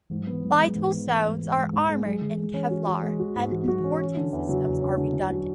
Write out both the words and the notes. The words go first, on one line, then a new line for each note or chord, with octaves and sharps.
Vital zones are armoured in Kevlar, and important systems are redundant.
G#2 E3
F#3
B3
E3
G#2 F#3
E3
G#3
F#3
G#2 E3
B3
E3 G#3
G#2
G#3
G#2
G#2
G#3
F#3 G#3
D3 G#3
E3
G#3
E3 C#4
F#4
F#4
G#3
F#4
G#2
E3 F#4
F#3 F#4
E3 C#4
C#4
D3
E2
C#3 F#3
E2
C#4
D3
D3
F#3